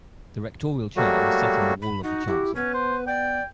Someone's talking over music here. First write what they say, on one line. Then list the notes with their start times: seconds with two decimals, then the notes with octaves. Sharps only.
The rectorial chair is set in the wall of the chancel.
0.96 F#3 G3 A3 A#3 F#4
1.82 B5
2.03 D#4 F#4
2.27 E4 G4
2.55 B3 C#4 B4
2.74 C5
3.07 D5 G5